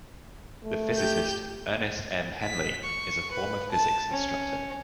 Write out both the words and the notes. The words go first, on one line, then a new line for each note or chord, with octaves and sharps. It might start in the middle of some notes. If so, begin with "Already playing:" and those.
The physicist Ernest M. Henley is a former physics instructor.
A3
G4 G6
B6
C#6
B4
A5
C#4